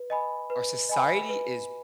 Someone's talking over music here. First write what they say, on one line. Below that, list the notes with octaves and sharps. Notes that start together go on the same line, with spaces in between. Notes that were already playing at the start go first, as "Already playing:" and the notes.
our society is
Already playing: B4
D#5 G#5 B5
B4
D#5 G#5 B5
B4